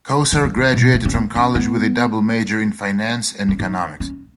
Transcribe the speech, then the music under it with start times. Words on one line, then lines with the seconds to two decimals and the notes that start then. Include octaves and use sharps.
Kosar graduated from college with a double major in Finance and economics.
0.32 D#3
0.44 E3
0.57 D#3
0.74 B2
0.94 A3
1.05 C#4
1.14 B3
1.35 C#4
1.55 B3
3.49 C#4
3.60 D#4
4.00 C#4